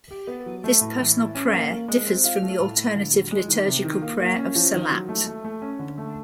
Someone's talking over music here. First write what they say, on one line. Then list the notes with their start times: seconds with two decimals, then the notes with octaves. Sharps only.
This personal prayer differs from the alternative liturgical prayer of salat.
0.11 G4
0.27 B3
0.46 F#3
0.64 A3
0.81 A2
0.99 E3
1.17 E4
1.35 C#4
1.53 A#3
1.70 A#3
1.88 G#3
2.07 C4
2.24 F4
2.42 A3
2.60 A2
2.77 A2
2.95 D3
3.13 F#3
3.31 G#3
3.48 D#3
3.66 C3
3.84 D#3
4.02 A#3
4.20 A#3
4.37 C#4
4.55 F3
4.73 D#3
4.91 F#3
5.09 A3
5.26 A3
5.44 A3
5.62 C#4
5.79 D3
5.98 A3